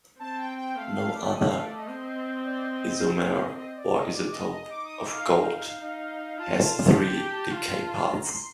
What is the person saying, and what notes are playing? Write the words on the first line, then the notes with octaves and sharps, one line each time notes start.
No other isomer or isotope of gold has three decay paths.
C4 A5
G5
G5
A3 F5
F5
D5
D#5
F5
D5
D#5
C4
D5
D#5
D#5
D#5
G5
F5
D#5
D#5
D5
D#5
D5
D#5
D#5
D#4 D6
D#6
D6
F5
D#4
F4 A5
G4 A5
A5
G5
A5
F4
A#5
C6